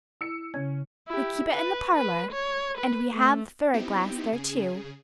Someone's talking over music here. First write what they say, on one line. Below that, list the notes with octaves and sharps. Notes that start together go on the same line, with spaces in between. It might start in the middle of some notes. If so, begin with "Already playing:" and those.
We keep it in the parlor and we have the fairy glass there, too.
E4 E6 C#7
C#3 C#4 G#6
E4 G4
B4
B4
C#5
B4
A3
B3 C4 D#4 E4 G4
C#3 G#4